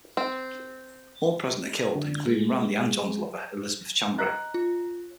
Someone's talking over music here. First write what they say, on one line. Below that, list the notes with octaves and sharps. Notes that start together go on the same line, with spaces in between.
All present are killed, including Randy and John's lover, Elizabeth Chandra.
C4
D3
G#3
D#5 A#5 F#6
F4